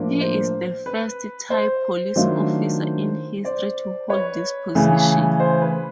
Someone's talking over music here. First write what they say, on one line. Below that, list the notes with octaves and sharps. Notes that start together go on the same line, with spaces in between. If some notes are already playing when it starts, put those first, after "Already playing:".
He is the first Thai police officer in history to hold this position.
Already playing: A2 F3 A#3 D4
C5
B4
C5
D#3 F#3 A3 D4 F4
C5 D5
B4 C#5
C#3 E3 A3
C5
B4